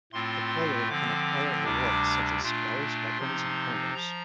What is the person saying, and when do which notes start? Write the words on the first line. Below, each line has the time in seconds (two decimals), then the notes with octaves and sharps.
The player can acquire awards such as spells, weapons, and armors.
0.12 A2 A3 C4 F4 C6
0.89 D3 F3 C4 D6
1.64 D2 C3 G3 D4 D6
2.42 A#2 A3 D4 F4
3.17 C3 F3 C4 D#4 C6
3.94 F3 A#5